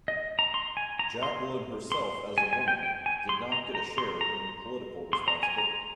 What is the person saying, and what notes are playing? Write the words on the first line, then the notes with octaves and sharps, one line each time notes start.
Jacqueline herself as a woman, did not get a share in the political responsibility.
D#5
A#5
C6
G#5
A#5
C6
C6
G#5
G#5
G5
G5
G#5
C6
A#5
A#5
C6
A#5
C6
A#5
G#5
A#5